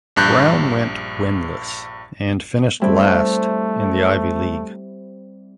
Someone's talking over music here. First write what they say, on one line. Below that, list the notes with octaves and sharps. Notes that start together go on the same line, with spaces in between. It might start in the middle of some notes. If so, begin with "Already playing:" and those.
Brown went winless and finished last in the Ivy League.
A#1 G2 F#6 G6
G3 A3 C4 E4